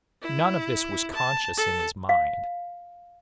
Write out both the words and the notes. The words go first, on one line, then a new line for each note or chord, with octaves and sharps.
None of this was conscious in his mind.
E4
A5
A4
F5